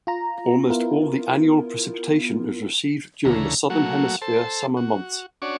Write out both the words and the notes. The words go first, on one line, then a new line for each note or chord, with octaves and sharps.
Almost all the annual precipitation is received during the southern-hemisphere summer months.
F4 A#5
B3 E4 F4 A#4
D2 C#3 E3 A3 A#5
F#3 A3 A#3 F#4
A4 C5 A5
F#4
C#4 D4 F#4 C#5 D5